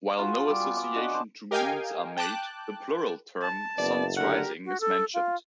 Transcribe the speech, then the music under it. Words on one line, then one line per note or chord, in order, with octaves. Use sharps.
While no association to moons are made, the plural term, "suns rising", is mentioned.
F4 F#4 G#4 B4
G3 G4
B3 G#4
D6
D4 F#4 D#5 C#6
C5 A5
G4 A#4 D#5 F5 G5 G#5
G5 A5 D6 F#6
A5
F#1 B3 D5
D3 G4 A#4 F#5
F#4
A4
F4